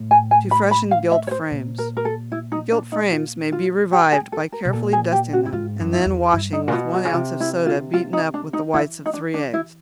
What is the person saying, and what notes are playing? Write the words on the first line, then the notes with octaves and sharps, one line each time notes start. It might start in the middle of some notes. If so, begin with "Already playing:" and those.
To Freshen Gilt Frames.--Gilt frames may be revived by carefully dusting them, and then washing with one ounce of soda beaten up with the whites of three eggs.
Already playing: A2
G#5
G#5
B5
B5
F5
E5
C#5
C5
A#2
A#4
A#4
A4
E4
D#4
D4
D#4
F4
F4
G4
G#4
A4
A#4
B2
A#2 A4
G#4
G4
F#4
E4
G#2 F4
F#2
E4
F2
E2
G2 E4
D#4
A#2
B2 F4
F#4
C#3
C3 F4
E4
F4
F4
D#4
D4
D#4
E3 E4
D#4
D4
D4
E4